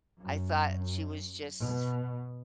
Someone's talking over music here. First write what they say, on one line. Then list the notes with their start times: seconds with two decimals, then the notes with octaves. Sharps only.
I thought she was just
0.21 F#2
1.63 B2